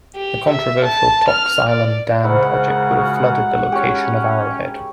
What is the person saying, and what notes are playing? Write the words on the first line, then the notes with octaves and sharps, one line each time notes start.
The controversial Tocks Island Dam project would have flooded the location of Arrowhead.
G4
E5
A5
F6
D5
G#2 C#3 E4 A#4 F#5
F#4 G#4 F5
C#4 G4 C#5